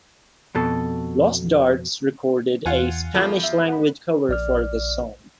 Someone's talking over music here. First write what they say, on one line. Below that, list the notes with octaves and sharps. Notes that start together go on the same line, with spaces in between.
Los Darts recorded a Spanish-language cover for this song.
F2 B2 A4
E2 F4 F#5 G#5
E2 F3 A4
E5
F#5 B5
A#1 D5 F6